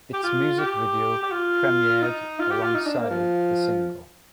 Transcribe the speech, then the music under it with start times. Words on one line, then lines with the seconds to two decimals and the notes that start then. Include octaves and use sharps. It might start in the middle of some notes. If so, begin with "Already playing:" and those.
Its music video premiered alongside the single.
0.13 G4
0.23 F4
0.59 G4
1.22 G4
1.32 F4
2.02 D#4
2.39 F4
2.51 G4
2.63 F4
2.75 D#4
2.87 D4
2.98 A#3
3.10 F3